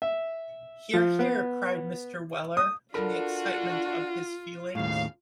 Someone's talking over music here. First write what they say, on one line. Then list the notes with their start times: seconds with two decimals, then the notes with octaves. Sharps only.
Hear, hear!’ cried Mr. Weller, in the excitement of his feelings.
0.02 E5
0.93 F3
1.19 B3
2.57 D#6
2.94 D4 F4 F#4 A4 A#4 B5
4.75 G#1 D#2 A2 C#3 F5